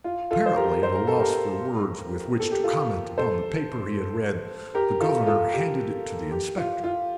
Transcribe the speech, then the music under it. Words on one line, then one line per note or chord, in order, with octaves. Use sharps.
Apparently at a loss for words with which to comment upon the paper he had read, the governor handed it to the inspector.
F4
F4 A4
C5
G4 A#4
C5
A#4
A4
G4 A#4
A4
G4
F4 A4
A4 C5
G4 A#4
F4 A4
F4 A4
G4
G4
F4
F4